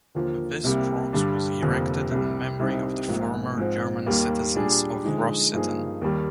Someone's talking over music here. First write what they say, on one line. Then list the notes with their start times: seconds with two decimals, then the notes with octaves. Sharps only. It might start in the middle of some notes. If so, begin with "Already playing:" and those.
This cross was erected in memory of the former German citizens of Rossitten.
0.15 D#2 D3 F3 A#3 F4
0.64 C2 C3 G3 A#3
1.13 G2 D3 G3 D4
1.62 F1 F2 D3 G3 A#3
2.11 C2 C3 G3
2.59 C2 C3 G3 C4 D#4
3.08 A#1 G#2 F3 A#3
3.57 G#2 F3 C4
4.06 D#2 D#3 G3 A#3
4.56 A#2 G3 D4 G#4
5.04 D3 F3 G#3 D#4
5.53 G2 F3 A#3 D#4 G#4
6.01 D#2 D#3 G3